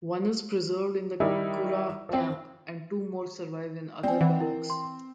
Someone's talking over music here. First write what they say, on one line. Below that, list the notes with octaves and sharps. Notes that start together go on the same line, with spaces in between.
One is preserved in the Curragh Camp and two more survive in other barracks.
D#3 G3 D#4 E4
F3 C4
C4 D5 G#5
E3 F#5
E4 A#4
C6